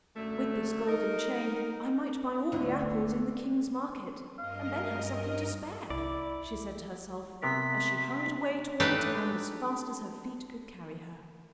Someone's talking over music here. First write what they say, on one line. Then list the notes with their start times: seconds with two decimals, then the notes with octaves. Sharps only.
"With this golden chain I might buy all the apples in the king's market, and then have something to spare," she said to herself, as she hurried away toward town as fast as her feet could carry her.
0.16 F#2 D3 A3
0.87 D#4 A#4
2.52 D2 D3
4.39 G2 A#4 D#5 F5
5.90 C2 E4 D5
7.42 C3 B3 A#4 B6
8.80 A3 D4 D#4 G4 B4